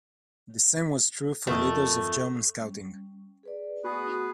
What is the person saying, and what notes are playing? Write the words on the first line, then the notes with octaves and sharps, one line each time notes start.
The same was true for leaders of German Scouting.
F2 A3 A#4 D#6
G3 C#4
G#4 B4 D5
A3 B3 F#4 G#4 B4